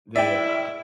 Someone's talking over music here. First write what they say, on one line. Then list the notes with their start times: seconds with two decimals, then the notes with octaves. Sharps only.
They, uh,
0.16 E4 D5 E5 G5